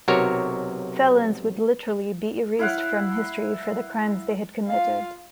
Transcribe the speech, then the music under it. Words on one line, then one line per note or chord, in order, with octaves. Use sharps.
Felons would literally be erased from history for the crimes they had committed.
B1 C3 F#4 A#4 C#5
E4 F5 F#5
F4 F5